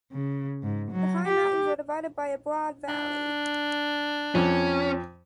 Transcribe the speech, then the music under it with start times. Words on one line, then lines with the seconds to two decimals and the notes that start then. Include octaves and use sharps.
The high mountains are divided by a broad valley.
0.11 C#3
0.63 G#2
0.92 F#3
1.27 G4
2.88 D4
4.35 F2 C#4